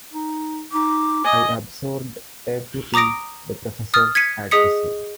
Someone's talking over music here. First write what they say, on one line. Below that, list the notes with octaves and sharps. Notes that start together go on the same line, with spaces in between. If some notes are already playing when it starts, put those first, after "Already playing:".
I absorbed everything the professor had to say.
D#4
D#4 D6
D#5 G#5
A#5 D6 D#6 A#6 D7
D#6 F6 A6
G#6 B6 C#7 D#7
G#4 D#5 D#6 B6 C#7